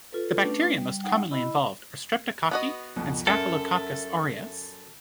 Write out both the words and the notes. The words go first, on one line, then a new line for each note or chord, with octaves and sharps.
The bacteria most commonly involved are streptococci and "Staphylococcus aureus".
F4 A4 B4
A3 C#4 D4 B4
G3
D#4 F#5 G5
E4 D#5 B5
B3 F#4 D#5
C2 F2 B2
F#2 A4 E5 F6 D7